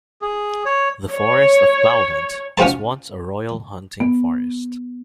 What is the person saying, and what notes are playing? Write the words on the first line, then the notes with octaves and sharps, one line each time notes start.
The Forest of Bowland was once a royal hunting forest.
G#4
C#5
C#5
C#4 F4 F#4 C5 A5
B3